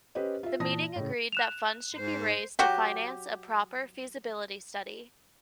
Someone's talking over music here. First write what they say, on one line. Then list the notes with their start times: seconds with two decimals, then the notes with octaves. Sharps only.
The meeting agreed that funds should be raised to finance a proper feasibility study.
0.15 C#4 G4 B4 C5 D#5
0.43 F4 E5
0.60 A#2 E3 A5 D#6 A#6
0.96 A2 C#3
1.32 F#6 E7 F7
1.94 G#2 C5
2.59 F#3 F#4 G4